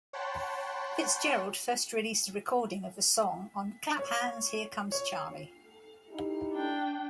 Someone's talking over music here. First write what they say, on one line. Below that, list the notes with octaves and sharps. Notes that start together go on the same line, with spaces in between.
Fitzgerald first released a recording of the song on Clap Hands, Here Comes Charlie!
C#5 F#5 G5 A5 B5 C6
C#5
C#5
D#4 E4 G4
D4 G5